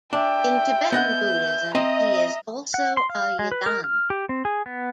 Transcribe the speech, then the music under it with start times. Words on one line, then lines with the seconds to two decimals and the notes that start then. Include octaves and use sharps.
In Tibetan Buddhism, he is also a yidam.
0.13 D4 E5 G5
0.92 B3 D#5 F#5 G6
1.75 C4 D#5 E5 A#5
2.74 F#5
2.97 C6
3.10 F5
3.39 G#3
3.52 B4
3.66 A#4
3.84 F6
4.10 G4
4.29 C4
4.45 G#4
4.66 B3